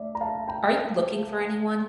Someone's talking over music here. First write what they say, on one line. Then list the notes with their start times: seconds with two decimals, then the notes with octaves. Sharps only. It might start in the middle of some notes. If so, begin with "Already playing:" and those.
Are you looking for any one?
Already playing: A3 D5 E5
0.15 A#5
0.21 F5 A5
0.48 G5 A#5